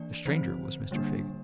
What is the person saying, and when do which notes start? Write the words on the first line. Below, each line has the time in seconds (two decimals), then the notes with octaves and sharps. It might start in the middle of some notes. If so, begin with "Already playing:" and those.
The stranger was Mr. Fagin.
Already playing: E3 A#3 D4 D5
0.25 D3 F3 C4 C5
0.91 D3 G3 A#3 D4